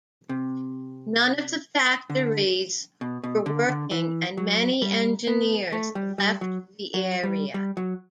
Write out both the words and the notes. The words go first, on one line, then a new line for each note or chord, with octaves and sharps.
None of the factories were working and many engineers left the area.
C3
D3
B2
B2
D3
D3
E3
F#3
G3
B3
A3
G3
G3
F#3
F#3
G3
G3
F#3